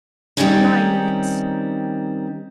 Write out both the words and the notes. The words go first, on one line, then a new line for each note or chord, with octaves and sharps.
Nine minutes.
D#3 G3 A3 C4 C#4 D#4